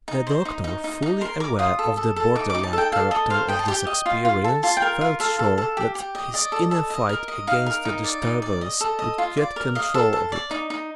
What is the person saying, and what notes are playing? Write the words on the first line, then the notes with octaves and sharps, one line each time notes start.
The doctor, fully aware of the borderland character of this experience, felt sure that his inner fight against the disturbance would get control of it.
D#4 A#5
C5
D#4
D#4
D#4
D#4
A#4 C6
A#4 D6
F4 D#6
A4
A4
A4
D#4 D6
D#4 D6
A5
A4 G5
A4 F5
A4 D#5
C5 F5
D#5 G5
A5
G4 G5
D#5
F4
F4
A4
F4 A5
G5
A#4
F4
A4 F5
A4
A4
G4
G4
D#5
D5 D#5
A4
A4
D#5
A#4
D#5
D#4 F5
A#4
D#4
D5
D#4
D5
D#5
A4
D#5
F4
D5
A#4
D#5 F5
A4
A4
D5
D#4
D#4